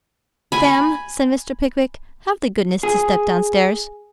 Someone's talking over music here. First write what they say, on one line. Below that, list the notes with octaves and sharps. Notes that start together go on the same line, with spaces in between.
'Sam,' said Mr. Pickwick, 'have the goodness to step downstairs.'
G#5 B5
G#4